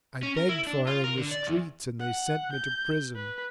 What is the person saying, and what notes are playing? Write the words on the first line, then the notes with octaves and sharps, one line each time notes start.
I begged for her in the streets: and they sent me to prison.
C#4
A#4
E4
D4
F4
A#4
D3
D5
E2
F#5
G6
B4